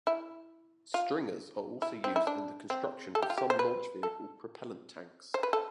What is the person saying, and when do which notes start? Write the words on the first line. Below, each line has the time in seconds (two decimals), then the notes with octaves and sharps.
Stringers are also used in the construction of some launch vehicle propellant tanks.
0.07 E4
0.94 F4
1.82 E4
2.04 C4
2.16 E4
2.27 D4
2.70 C4
3.15 A4
3.22 G4
3.30 F4
3.38 G4
3.50 C5
3.59 B4
4.03 A4
5.34 C5
5.43 B4
5.53 A4